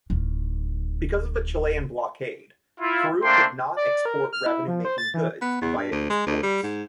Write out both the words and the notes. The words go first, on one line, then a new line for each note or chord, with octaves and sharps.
Because of the Chilean blockade, Peru could not export revenue-making goods via its ports.
D1 D#3
E4 F4
A3 A#3 D4 C5 G5 C6
D5
A#4
F6
E4
F3
C5
A6
E3
B3
E2
G2
D2
G#3
D2
G3
G#2